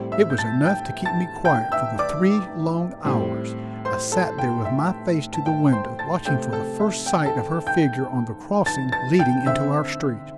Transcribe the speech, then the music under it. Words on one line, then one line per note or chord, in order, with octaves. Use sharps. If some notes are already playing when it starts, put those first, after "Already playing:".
It was enough to keep me quiet for the three long hours I sat there with my face to the window, watching for the first sight of her figure on the crossing leading into our street.
Already playing: A2 G3 C4
E5 E6
G6
A5 A6
G5 G6
A5 A6
G5 G6
E5 E6
D5 D6
A2 G3 C4
C5 C6
A4 A5
G5
E5
A5
G5
C5 C6
A5 A6
C3 A3 C4 G5 G6
A4 A5
E5
G5
A4 A5
G5 G6
A5 A6
A5 A6
G5 G6
D3 C4 E5 E6